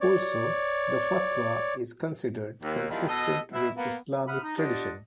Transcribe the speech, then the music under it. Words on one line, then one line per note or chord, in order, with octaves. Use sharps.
Also, the fatwa is considered consistent with Islamic tradition.
C#5 D5
D#2
E2 D#3 F3 G3
B2 A4 D#5
B2 E4
A#3 B3
E5 F#5 B5 D#6 F6
D#4
D4 F4 G4 D5 D#5 F#5